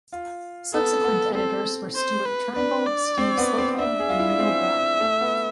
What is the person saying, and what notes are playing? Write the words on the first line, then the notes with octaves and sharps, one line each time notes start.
Subsequent editors were Stuart Turnbull, Steve Slocombe, and Neil Boorman.
F4
B3 A4
B3
C4 A4
C5
B4
D4 B4
D5
C4
B3
C4
D4 E5
G#4
F4
E4
D4
C4
A3
B3